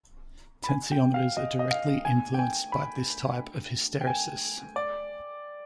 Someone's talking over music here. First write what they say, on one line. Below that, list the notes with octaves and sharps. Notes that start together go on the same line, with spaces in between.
Tensiometers are directly influenced by this type of hysteresis.
B5
G#5
G5
F5
D#5
D#5
F5
G#5
G5
G#5
B5
G5
G#5
D5